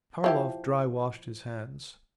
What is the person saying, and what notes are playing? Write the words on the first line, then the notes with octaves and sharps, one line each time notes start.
Karlov dry-washed his hands.
F3 E4 G4